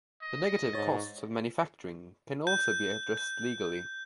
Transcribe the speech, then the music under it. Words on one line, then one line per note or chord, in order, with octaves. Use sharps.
The negative costs of manufacturing can also be addressed legally.
D#5
G#2 C#5 A6
G6
G6